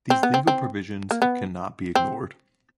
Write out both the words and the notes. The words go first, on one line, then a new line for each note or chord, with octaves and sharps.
These legal provisions can not be ignored.
C4
B3
C4
C4
A#3
B3
C4